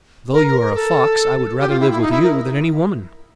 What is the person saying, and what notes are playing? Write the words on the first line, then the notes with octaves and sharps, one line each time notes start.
Though you are a fox I would rather live with you than any woman.
A#4
A#4
A#4
A4
G4
F4
E4
E4
D#4
E4
A#4